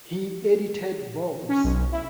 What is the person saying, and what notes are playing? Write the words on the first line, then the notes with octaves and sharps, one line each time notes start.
He edited vols.
C#4
B1
E4